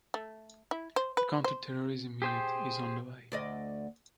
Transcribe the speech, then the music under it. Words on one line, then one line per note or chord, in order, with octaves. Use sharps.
The counter-terrorism unit is on the way.
A3
E4
C5
B4
C5
G4 G#4 C5 G5 G6
D2 D5 D#5